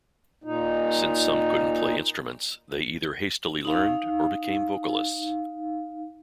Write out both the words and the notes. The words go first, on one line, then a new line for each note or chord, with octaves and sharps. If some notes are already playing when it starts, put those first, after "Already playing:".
Since some couldn't play instruments, they either hastily learned, or became vocalists.
A#2 D#4
D#4 F5